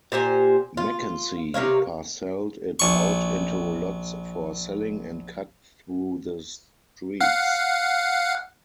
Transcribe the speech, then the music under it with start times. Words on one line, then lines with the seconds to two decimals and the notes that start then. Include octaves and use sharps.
Mackenzie parcelled it out into lots for selling and cut through the streets.
0.12 A#2 G4 C5 G#5
0.77 F4
1.54 C3 A#4 C#5 F5
2.79 A#1 C#6
7.20 F5 F#5